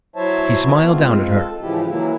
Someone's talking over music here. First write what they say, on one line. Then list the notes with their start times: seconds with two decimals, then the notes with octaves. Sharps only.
He smiled down at her.
0.16 F#3 E4 C5 C#5 E5 A5
0.61 D#3 B3
0.87 G#2 G#3 C4 F4
1.34 A4
1.61 G#2 C#3 E3 F3 E4 G4
1.87 E3 F#3 A#3 E4